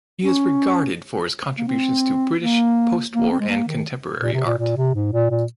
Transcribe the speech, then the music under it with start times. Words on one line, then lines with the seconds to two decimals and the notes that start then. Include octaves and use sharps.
He is regarded for his contributions to British Postwar and Contemporary art.
0.23 C#4
1.59 A#3
1.68 C4
2.40 A#3
3.13 A#3
3.32 C4
3.40 G#3
3.49 A#3
3.67 D#3
4.22 A#2
4.34 C3
4.46 A#2
4.58 A#2
4.77 C3
4.95 G#2
5.13 A#2
5.30 A#2